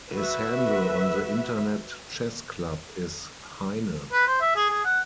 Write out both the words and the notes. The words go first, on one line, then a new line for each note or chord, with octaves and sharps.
His handle on the Internet Chess Club is "Heine".
F#4 B4 E5
B4
C5
E5
G#4
G#4
F#5